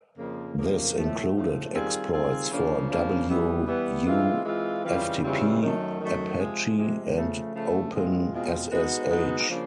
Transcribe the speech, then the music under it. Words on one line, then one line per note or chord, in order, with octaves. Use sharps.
This included exploits for wu-ftp, apache, and openssh.
F2 C#3 F3 A#3
F2 C#3 F3 A#3
A2 F3 A3
A2 F3 A3
D#3 G3 C4 F4 G#4
D#3 G3 C4 F4 G#4
C#3 F3 A#3 D4
C#3 F3 A#3 D4
E3 G3 B3
E3 G3 B3
E3 G#3 C4 F4
E3 G#3 C4 F4
C#3 E3 G3 C4 F4
C#3 E3 G3 C4 F4
F#2 D#3 F#3 A3
F#2 D#3 F#3 A3
C3 F3 G#3
C3 F3 G#3
C#3 F3 A3
C#3 F3 A3
E2 B2 G#3 C4 F4
E2 B2 G#3 C4 F4
G#3 B3 D#4 F#4
G#3 B3 D#4 F#4
C#3 F3 A#3 D4